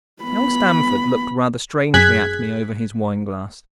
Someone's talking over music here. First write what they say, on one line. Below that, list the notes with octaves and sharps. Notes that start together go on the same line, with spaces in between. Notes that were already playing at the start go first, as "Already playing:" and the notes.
Young Stamford looked rather strangely at me over his wine-glass.
B3 B5
F#2 G#4 F#6 G#6 B6